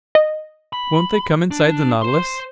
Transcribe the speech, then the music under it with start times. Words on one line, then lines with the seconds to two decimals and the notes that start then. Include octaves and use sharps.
"Won't they come inside the Nautilus?"
0.15 D#5
0.73 B5
1.51 D4
2.02 C5 C6